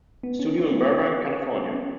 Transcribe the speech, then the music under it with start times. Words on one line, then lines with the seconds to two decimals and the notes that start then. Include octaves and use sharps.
Studio in Burbank, California.
0.23 B3
0.39 C#4
0.57 C#4
0.74 B3
1.75 C#4